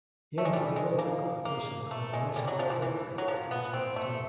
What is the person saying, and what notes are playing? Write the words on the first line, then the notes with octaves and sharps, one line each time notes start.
He entered a local competition called the Mesquite Opry at age nineteen.
A3
G#3
G3
G#3
A#3
A#3
A3
G#3
G3
F#3
F3
E3
E3
F#3
F3
B3
C4
A3